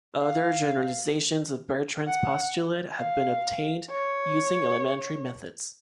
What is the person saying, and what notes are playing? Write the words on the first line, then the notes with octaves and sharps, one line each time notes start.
Other generalizations of Bertrand's Postulate have been obtained using elementary methods.
F5
F#5
F5
C#5